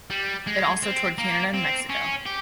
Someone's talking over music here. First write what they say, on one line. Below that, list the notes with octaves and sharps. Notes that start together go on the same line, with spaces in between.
It also toured Canada and Mexico.
G3
G#3
C4
A#3
C4
C#4
G4